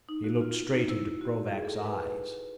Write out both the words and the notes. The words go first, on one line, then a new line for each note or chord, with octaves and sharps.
He looked straight into Krovac's eyes.
D#4
F#4
F4
D#4
E4
F#4
G#4
A4
A#4
B4
B4